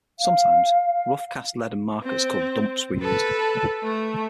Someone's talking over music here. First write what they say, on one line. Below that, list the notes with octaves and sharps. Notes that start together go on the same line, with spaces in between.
Sometimes rough-cast leaden markers called "dumps" were used.
F5
C4
A4 B4
A3